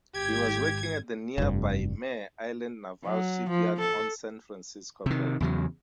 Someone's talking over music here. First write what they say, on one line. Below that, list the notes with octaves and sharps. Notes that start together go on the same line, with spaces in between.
He was working at the nearby Mare Island Naval Shipyard on San Francisco Bay.
G#1 G4 G#6
F1 G2
F#3
F3
A4
C3 D#3
E2 C#3 F#3